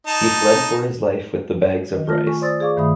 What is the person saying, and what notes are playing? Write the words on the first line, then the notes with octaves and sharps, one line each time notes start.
He fled for his life with the bags of rice.
D#4 A5
D#3 D#5
A3 F4 A5 F6 A#6
G#5 C#6
C5 D5 C6 D#6 E6 A6
G#4 D5 F5 C#6 D6
G2 D#3 A3 E5 B5 D#6